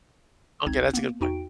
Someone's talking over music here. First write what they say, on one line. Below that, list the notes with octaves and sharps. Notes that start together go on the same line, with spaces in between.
Okay, that's a good point.
G#1 C#2 C4 D#4 G#6
A#3 B3
E2 D#4 F#4 G5 D7